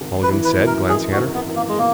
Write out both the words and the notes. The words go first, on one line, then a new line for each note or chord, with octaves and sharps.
Mulligan said, glancing at her.
G#1
B4
E3
B4
F#2
A#4
G#3 G#4
F#4
G#1
B3
E3
A#3
G#3
B2 A#3